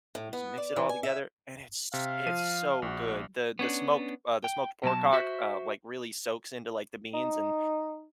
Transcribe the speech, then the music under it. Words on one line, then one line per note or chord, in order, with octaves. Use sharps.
You just mix it all together and it's it's so good. The the smoked uh, the smoked pork hock, uh, like, really soaks into, like, the beans, and
A2
B3
D5
E3
G#5
E5
C3 F5
F3 D#7
A#1 F#4
B3 C#4 D4
G5
B2 F#3 A5
F#4 C5 E5
D#4